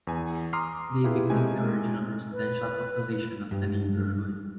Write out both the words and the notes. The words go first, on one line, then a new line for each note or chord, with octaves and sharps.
They became the original residential population of the neighborhood.
E2 G#5
A#5 C6 D6 D#6 F6 C7
E4 F4 G4 G#4 B4
C3 G#3 A3 D#4 G#5
B4
G2